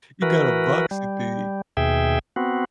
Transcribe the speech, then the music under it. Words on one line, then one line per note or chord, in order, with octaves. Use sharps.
You got a boxy thing.
E3 F#4 A#4 B4
G3
D#2 B2 G#4 E5 G5
B3 C4 F#4